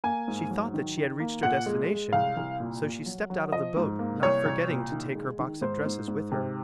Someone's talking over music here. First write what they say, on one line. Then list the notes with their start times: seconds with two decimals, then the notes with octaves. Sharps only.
She thought that she had reached her destination, so she stepped out of the boat not forgetting to take her box of dresses with her.
0.04 A#3 G#5
0.28 G#2
0.50 F#3
0.74 D#3
0.97 D#3
1.20 A#3
1.43 A#2 F#5
1.66 G#3
1.90 G#3
2.13 C2 F5
2.37 C2
2.60 A#2
2.83 A#2
3.06 F#3
3.30 F#3
3.52 F3 D#5
3.76 G#2
3.99 A#3
4.22 C2 C#5
4.45 C2
4.69 A#2
4.92 D#3
5.15 G#3
5.39 D#3
5.61 G#2 C5
5.86 G#2
6.08 G#2
6.32 C3